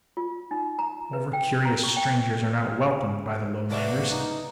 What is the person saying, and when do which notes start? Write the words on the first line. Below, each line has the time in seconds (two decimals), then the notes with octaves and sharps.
Over-curious strangers are not welcomed by the Lowlanders.
0.17 F4
0.51 D#4
0.79 A#5
1.13 B4
1.33 G5
1.65 A#5
1.84 C#6
1.96 G5
3.70 C2 E3 A#3 D4 F#4 D5 E5
4.09 D#4